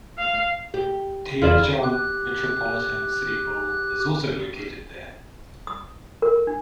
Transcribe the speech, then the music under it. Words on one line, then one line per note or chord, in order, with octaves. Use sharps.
Daejeon Metropolitan City Hall is also located there.
F5
G4
E1 E2 E4 F4 G#4 D5
G4 F#6
D#6
A#4
D4